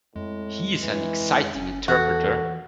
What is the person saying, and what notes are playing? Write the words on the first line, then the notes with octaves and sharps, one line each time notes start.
He is an exciting interpreter.
F2 A2 G#3
E3
F#1 C#4
E2 E3 F#4 A4